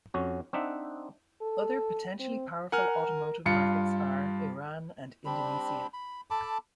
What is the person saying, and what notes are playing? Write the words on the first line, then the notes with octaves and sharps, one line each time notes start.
Other potentially powerful automotive markets are Iran and Indonesia.
F2 C#4 F#4
C4 D4 D#4 E5 F#5
A4
C4
A#4 F#5 G#5 F6
G2 F4 C#7
G3 C4 D4 B5
B5
A4 A5 B5 D6